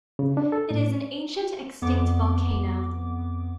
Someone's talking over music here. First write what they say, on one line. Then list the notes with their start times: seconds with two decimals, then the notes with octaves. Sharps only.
It is an ancient, extinct volcano.
0.19 C#3
0.37 D4
0.52 A4
0.71 A2
1.82 F2 B3 D6